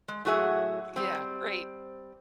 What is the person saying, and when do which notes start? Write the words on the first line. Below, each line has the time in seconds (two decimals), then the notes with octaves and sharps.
Yeah, great.
0.08 G#3
0.25 A2 F#3 F#4 G#4 E5
0.96 G3 C4